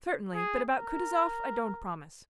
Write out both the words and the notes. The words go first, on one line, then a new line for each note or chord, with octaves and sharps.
"Certainly; but about Kutuzov, I don't promise."
G#4
A#4